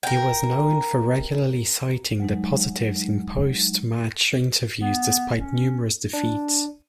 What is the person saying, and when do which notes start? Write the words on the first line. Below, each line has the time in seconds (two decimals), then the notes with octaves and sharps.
He was known for regularly citing the 'positives' in post-match interviews despite numerous defeats.
0.03 A#4 G5
2.20 F#3 G#3 D#4
4.81 B3
5.37 C#4
6.13 D4